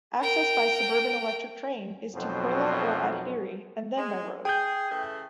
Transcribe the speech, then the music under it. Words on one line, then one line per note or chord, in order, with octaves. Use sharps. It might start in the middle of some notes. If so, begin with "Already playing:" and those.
Access by suburban electric train is to Kurla or Andheri and then by road.
A#4 G5
B1 F2 B2 F#3 C5
G#3
G#4 G5 G6
C#3 E3 A3